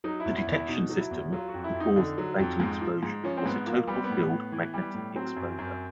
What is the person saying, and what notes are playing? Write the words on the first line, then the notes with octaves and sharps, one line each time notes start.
The detection system to cause the fatal explosion was a total field magnetic exploder.
F#3 D#4
E4
E2
E4
E2
E4
B2 D#4
F#3
E4
E2
F#3 F4
F#4
F2
E4
F2
D#4
D3
F#3
F2
G#2
F3
G#2
F3 C#4
C4
G#2 B3
F3 A#3
G3 B3
C4
B3
A2
A2
E3
G3
A2
F#3 C4
F#2
F#2